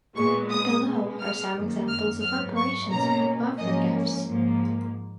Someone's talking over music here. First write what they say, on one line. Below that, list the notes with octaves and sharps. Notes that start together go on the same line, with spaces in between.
Below are some examples of operations with buffer gaps.
A#2 G#3 B3 C#6
D#6
B2 G#3 B3
F6
F#2 D#3 A#3
F6
G#2 F#3 B3 F6
C#6
B2 A#3 C#4 A#5
G#2 F3 A#3 C#4 D#5
G#2 F3 A#3